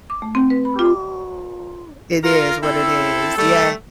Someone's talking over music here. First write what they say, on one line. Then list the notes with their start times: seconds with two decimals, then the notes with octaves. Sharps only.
Oh, it is what it is, yes.
0.10 D6
0.22 A3
0.35 C4
0.50 B4
0.65 B5
0.79 F4
2.24 F4 A#4
2.62 C4 E4 A4
3.38 G3 A3 A4